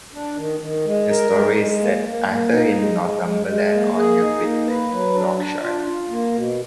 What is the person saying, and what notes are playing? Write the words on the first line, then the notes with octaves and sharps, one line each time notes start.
The story is set either in Northumberland or near Whitby, Yorkshire.
D4
D#3
D#3
G#3
A#4
G#3
G#3
A#3
A#3
A#3
D#4
G#3
G#3
G#3
G#3
A#3
G#4
D#4
A#3
B4
F#3
D4
D4
F4
F4
A#3
B2